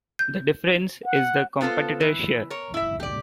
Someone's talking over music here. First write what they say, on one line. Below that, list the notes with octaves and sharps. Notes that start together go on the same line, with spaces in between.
The difference is the competitor share.
G6
F#5
B3 F4 A4 A#4 C5
E3
A#4 C#5
E4 E5
G4 D5